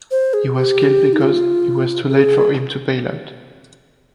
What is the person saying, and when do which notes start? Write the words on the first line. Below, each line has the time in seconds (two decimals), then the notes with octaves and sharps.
He was killed because it was too late for him to bail out.
0.11 C5
0.34 G#4
0.55 G4
1.13 D#4
1.21 F4
2.09 G#4